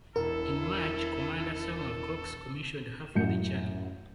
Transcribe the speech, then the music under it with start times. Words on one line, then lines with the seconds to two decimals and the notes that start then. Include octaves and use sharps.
In March Commander Samuel Cox commissioned her for the Channel.
0.16 E1 E4 A4 A#4
3.15 A1 F#2 F#5 G6 C#7